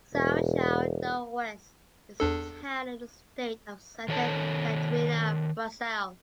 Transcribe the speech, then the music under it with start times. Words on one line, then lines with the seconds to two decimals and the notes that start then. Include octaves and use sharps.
São João do Oeste is a town in the state of Santa Catarina, Brazil.
0.13 E1
2.20 E2 D4 A4
4.08 D#3 A4 C#5 A5